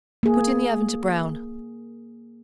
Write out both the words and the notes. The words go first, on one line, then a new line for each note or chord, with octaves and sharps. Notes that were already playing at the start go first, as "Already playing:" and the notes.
Put in the oven to brown.
A#3 G#4